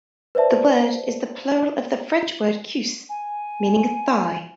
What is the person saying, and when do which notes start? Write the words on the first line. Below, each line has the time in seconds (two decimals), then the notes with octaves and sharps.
The word is the plural of the French word "cuisse" meaning 'thigh'.
0.35 B4 C5 D5 E5 A5
3.09 G#5